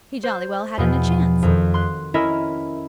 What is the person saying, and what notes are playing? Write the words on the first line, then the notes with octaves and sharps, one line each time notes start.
He jolly well hadn't a chance.
C5
E2 B2 F3
F2 D#3
C6 F#6
C#4 E4 A#4 D#5 E5